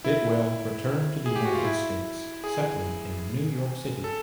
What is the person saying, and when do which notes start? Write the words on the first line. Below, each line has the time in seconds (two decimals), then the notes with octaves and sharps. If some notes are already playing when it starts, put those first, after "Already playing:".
Bidwell returned to the United States, settling in New York City.
0.04 E4
1.26 G#4
1.36 G4
1.45 F#4
1.55 F4
1.65 E4
2.44 G#4
4.04 A4